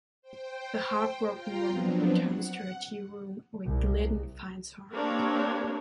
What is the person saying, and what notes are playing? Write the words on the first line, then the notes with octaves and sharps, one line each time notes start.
The heartbroken woman returns to her tea room, where Glidden finds her.
C5 G5
F4 G5 A#5 C6
F3 F#3 B3 C4 D4
F#5
C2
A#3 C4 D4 G4 A#4 C#5